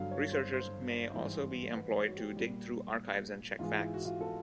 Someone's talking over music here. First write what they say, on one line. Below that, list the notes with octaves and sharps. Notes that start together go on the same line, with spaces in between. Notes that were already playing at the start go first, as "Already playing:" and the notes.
Researchers may also be employed to dig through archives and check facts.
Already playing: G2 D3 F#3 F5
C#5
C5
C5
G#2 E3 G3
B4
C#5
F#4
G4
A#2 G3
G#2 E3 G#3 F4
E4
F#4
F4
A4